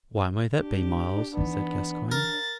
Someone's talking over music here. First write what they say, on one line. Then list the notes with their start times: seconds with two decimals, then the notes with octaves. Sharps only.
"Why may that be, Myles?" said Gascoyne.
0.58 D4 G4
1.37 E3 B3 D#4
2.12 A#4 A6